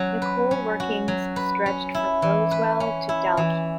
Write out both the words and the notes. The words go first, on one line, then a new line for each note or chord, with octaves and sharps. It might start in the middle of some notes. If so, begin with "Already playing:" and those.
The coal workings stretched from Rosewell to Dalkeith.
Already playing: F#3 C#4 F#4
B4
C#4
F#4
F#3
B4
C#4
E4
E3
B4
C#4
E4
E3